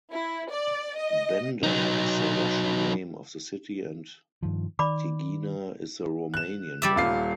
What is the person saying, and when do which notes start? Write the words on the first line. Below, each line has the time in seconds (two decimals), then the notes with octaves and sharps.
Bender is the Russian name of the city and Tighina is the Romanian one.
0.11 E4
0.48 D5
0.98 D#5
1.63 F#3 D#4
4.43 G2 D#3 F3
4.79 D#3 D5 B5 D6
6.34 F#6 E7
6.82 G3 D5 E5
6.96 D#1 F4 C7